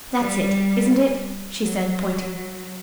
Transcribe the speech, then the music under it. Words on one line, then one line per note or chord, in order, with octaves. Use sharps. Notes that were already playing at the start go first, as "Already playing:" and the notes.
"That's it, isn't it?" she said, pointing.
G3
F#3